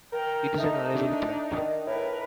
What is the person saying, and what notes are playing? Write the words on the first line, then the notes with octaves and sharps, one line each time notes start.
It is an arable plant.
A#4 G5 A#5
A3 D#4
D4 D#4
D#3
A2 A#4 B4